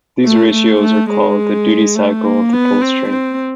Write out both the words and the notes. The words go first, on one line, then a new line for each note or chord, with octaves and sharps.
These ratios are called the "duty cycle" of the pulse train.
A3
A3
A3
G#3
A3
A#3
B3
C4
C4